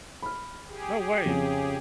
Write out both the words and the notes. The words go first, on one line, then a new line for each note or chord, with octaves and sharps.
No way.
B5 F6
G4 G#4
F2 C#3